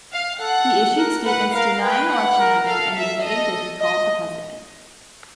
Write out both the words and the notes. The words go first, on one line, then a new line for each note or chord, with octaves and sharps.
He issued statements denying election rigging and admitted that he called the President.
F5
A4 F#5
A#4
B4 F#5
A#4 F5
B4 G5
F#5
A#4
A4 F5
E5
A4 D#5
D#5